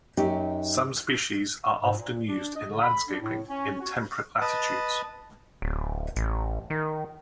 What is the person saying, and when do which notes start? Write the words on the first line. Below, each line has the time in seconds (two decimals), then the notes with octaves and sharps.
Some species are often used in landscaping in temperate latitudes.
0.17 F#2 C#4 D#4 G4
1.83 G#2
1.98 A#2
2.28 D4
2.56 D#5
2.69 D3
2.82 B5
3.09 D4
3.21 A2
3.49 C#4
3.80 F#4
4.41 B4 D#5 A5
5.62 D1
6.16 A1
6.70 D#3